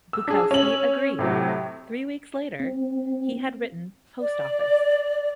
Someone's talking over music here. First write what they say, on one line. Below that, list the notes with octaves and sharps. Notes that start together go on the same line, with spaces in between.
Bukowski agreed; three weeks later, he had written "Post Office".
E6
D4 G#4
C#4 F#7
A2 C3 F#3
C4
D5